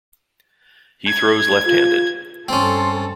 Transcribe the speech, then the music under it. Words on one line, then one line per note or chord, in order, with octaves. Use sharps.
He throws left-handed.
G#6
F4
G2 C4 C#4 A4 C6